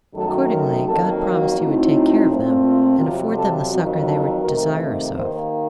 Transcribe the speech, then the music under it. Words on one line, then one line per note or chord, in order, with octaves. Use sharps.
Accordingly God promised he would take care of them, and afford them the succor they were desirous of.
F#2 D#3 F#3 A3 A4
A#4
F2 D#3 F#3 A#3 A4
A2 F#3 C4 D#4
A#2 A3 C4
F4
F2 C3 F#3 F4
A4
F2 D#3 F#3 F#4
A4
F2 C3 D#3 A3 A#4
D#2 D#3 A#3 C5